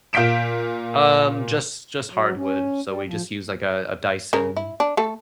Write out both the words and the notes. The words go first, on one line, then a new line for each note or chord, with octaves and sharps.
Um, just just hardwood, so, we just use, like, a a Dyson,
A#2 F5 G6 B6 D7 E7
F#3
C#4
G3
F3
C#3 A#4
E4
D4
A3 A4